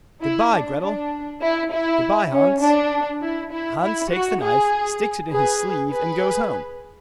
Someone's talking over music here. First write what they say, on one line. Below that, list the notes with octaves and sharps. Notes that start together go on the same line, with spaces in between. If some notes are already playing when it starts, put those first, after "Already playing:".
'Goodbye, Gretel.' 'Goodbye, Hans.' Hans takes the knife, sticks it in his sleeve, and goes home.
E4
D4
D4
E4
E4
C#4
D4
E4
E4
E4
F#4
G#4
G#4 B4
G#4 B4